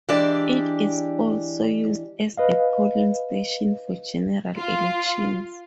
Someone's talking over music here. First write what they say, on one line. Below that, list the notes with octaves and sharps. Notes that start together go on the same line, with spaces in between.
It is also used as a polling station for general elections.
E3 G#3 D4 G4 D5
B4 D#5 F5
F4